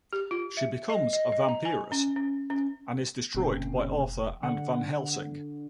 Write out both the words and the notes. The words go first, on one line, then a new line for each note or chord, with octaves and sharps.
She becomes a vampiress and is destroyed by Arthur and Van-Helsing.
G4
F4
E5
D#5
D#5
D#5
A#5
G#5
C#4
C#4
C#4
F1 A#2 C#3 C4
D3 F#5